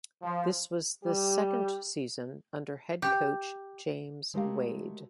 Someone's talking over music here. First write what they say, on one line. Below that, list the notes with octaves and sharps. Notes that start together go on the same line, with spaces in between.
This was the second season under head coach James Wade.
F3
G3 G4
G4
G#3 A3 F#4 G4 A#4 F5